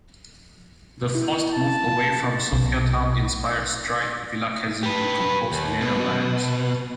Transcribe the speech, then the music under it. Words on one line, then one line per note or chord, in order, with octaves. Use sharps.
The forced move away from Sophiatown inspired Strike Vilakezi to compose "Meadowlands".
E4
A5
B1
G4 B4
D#2
B2